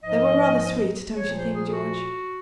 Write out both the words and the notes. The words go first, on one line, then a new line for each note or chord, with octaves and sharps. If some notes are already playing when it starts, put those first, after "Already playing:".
"They were rather sweet, don't you think, George?"
G#2 F3 D#5
A#2 F3 C#5
C5
G#4
G#4
F#4